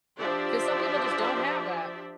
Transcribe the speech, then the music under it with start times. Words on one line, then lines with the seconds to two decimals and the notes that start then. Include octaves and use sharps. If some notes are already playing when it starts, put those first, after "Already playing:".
'cause some people, just, don't have that.
0.18 F3 D4 G4 C5 D5 E5